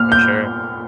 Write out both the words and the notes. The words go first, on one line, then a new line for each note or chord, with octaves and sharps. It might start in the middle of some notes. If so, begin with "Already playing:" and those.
For sure.
Already playing: A#2 F6
G6